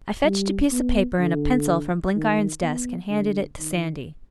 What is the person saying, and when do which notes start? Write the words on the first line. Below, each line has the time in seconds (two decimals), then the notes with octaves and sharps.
I fetched a piece of paper and a pencil from Blenkiron's desk and handed it to Sandy.
0.24 G3
0.72 B3
1.20 D3
2.16 D#3
2.63 B3
3.10 D3
3.59 D#3